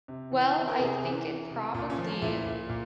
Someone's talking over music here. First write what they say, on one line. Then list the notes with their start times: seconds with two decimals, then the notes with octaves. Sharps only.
Well, I think it probably i
0.08 C3
0.32 E3
0.56 E3
0.68 A#4
0.79 C3 G#4
1.03 E3
1.27 E3
1.51 C3
1.74 A#2 F4
1.90 C#4
1.98 F3
2.06 C#4
2.22 A#2 E4
2.46 A#2
2.69 A#2